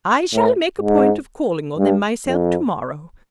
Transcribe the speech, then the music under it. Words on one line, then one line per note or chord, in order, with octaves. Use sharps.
I shall make a point of calling on them myself tomorrow.
A2
G#2
G2
F2